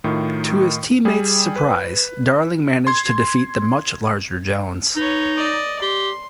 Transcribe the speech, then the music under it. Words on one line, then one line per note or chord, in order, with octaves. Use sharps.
To his team mates' surprise, Darling managed to defeat the much larger Jones.
A2 D#3 F4
G3 G#4
B4
C6 G#6
D#4 B4 C#5
D5 D#5
G4 C6